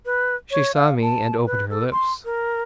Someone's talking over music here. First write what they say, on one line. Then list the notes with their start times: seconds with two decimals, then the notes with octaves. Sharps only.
She saw me and opened her lips.
0.06 B4
0.51 C#5
0.75 F5
1.02 A5
1.46 B4
1.70 A4
1.92 C6
2.25 A#4